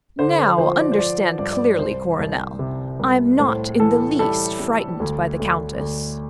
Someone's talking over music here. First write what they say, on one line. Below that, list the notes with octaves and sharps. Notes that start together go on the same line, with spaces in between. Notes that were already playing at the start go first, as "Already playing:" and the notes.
"Now, understand clearly, Coronel, I'm not in the least frightened by the Countess."
D3 C5
C5
F3 C5
D5
C5
F3 D5
G2 D5
D5
C2 C5
C2
C3
C2
A2 C5
E3 A4
G3 A4
G3
D2
D2
D2